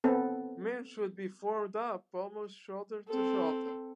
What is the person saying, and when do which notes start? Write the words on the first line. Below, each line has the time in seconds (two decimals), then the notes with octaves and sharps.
Men should be formed up almost shoulder to shoulder.
0.04 B3 C4 A4
3.09 C4 A4